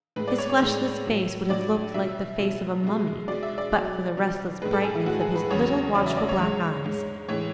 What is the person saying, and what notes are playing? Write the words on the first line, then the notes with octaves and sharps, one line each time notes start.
His fleshless face would have looked like the face of a mummy, but for the restless brightness of his little watchful black eyes.
A2 G#3 B4
D5
C#5
C#5
A2 G#3
A2 F#3
A2 F#3 D5
B2 F#3 E5
B2 F#3
B2 G#3
B2 G#3 D5
E5
D5
B2 F#3 D5
B2 F#3
A2 G#3 B4
A4
G#4
E4
A2 G#3 F#4
G#4
B4
E2 C#3 F#3 C#5
E2 C#3 F#3 D5
E5
D5
C#5
G#2 G#3
G#2 G#3
A2 E3 G#3 C#5